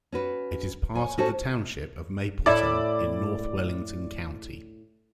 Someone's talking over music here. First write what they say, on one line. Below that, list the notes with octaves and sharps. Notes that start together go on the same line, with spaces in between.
It is a part of the township of Mapleton in North Wellington County.
C#4 F#4 B4
C#5 G#5
C#4 F#4 A4 C5 C#5
A2 E4 D5 E5